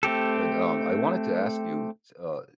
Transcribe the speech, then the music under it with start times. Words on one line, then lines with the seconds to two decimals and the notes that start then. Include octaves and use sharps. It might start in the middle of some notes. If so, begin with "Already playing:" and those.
But, um, I wanted to ask you, s uh,
0.03 A3 C4 G4 A4